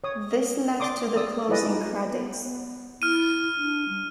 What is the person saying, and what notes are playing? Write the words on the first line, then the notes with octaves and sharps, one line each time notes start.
This led to the closing credits.
C#5 D#6
D5 C6 D6 D#6
D5 D#6 E6
E4 F4 G#4 B4 D5 D#5
D#4
B3
E4 F6 D#7
D4
G3